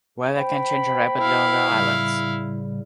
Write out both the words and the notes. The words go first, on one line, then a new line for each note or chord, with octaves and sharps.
Weather can change rapidly on the islands.
C5 G5 B5
E4 F5
A2 C#3 G3